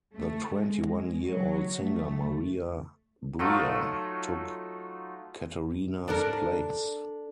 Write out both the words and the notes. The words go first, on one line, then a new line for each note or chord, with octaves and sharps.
The twenty-one year old singer Maria Bria took Catharina's place.
A3
G#3
F#3
A3
F#3 A3 D#4 F4
D4 A4 A#4